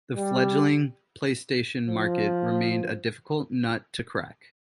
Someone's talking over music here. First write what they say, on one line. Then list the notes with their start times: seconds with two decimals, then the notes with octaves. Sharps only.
The fledgling PlayStation market remained a difficult nut to crack.
0.16 G3
1.87 F3